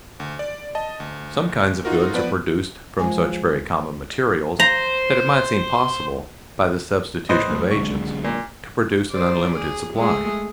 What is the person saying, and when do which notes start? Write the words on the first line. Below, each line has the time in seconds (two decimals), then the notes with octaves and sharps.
Some kinds of goods are produced from such very common materials that it might seem possible, by the substitution of agents, to produce an unlimited supply.
0.20 D2
0.39 D5
0.75 D#5 A5
1.00 D2
1.85 D#4 F4 F#4 A#4
2.13 F3 B3 B4 D5
2.99 F3 G#3 G#5
4.60 C5 A#5
7.29 A2 B4 C5 D#5
7.48 F#2 A3
7.71 B1 D3 G#3 C#6
8.25 A#2
9.11 C5 D5
9.52 G#4
9.94 G#3 A3 G#4